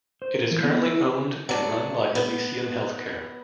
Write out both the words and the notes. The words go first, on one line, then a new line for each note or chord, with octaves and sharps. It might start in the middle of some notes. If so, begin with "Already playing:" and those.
It is currently owned and run by Elysium Healthcare.
C5
A#4
E3
B3
E4
F#3 D4
B3